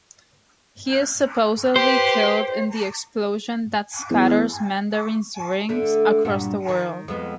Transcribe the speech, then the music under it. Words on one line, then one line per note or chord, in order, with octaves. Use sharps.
He is supposedly killed in the explosion that scatters Mandarin's rings across the world.
G4 B4 C5
E2
D3 A3
G2 A#2 F#4
D#3
F2 G#3 B3